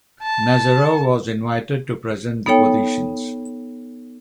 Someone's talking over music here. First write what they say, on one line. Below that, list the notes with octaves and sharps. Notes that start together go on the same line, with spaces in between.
Nazarov was invited to present the positions.
A5
B3 D#4 A4 C#5 G5